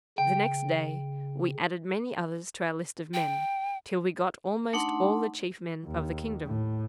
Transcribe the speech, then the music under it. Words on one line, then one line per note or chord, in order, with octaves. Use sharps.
The next day we added many others to our list of men, till we got almost all the chief men of the kingdom.
C#3 G5
G5
A3 D4 D#4 F#5 C6
D#2
A2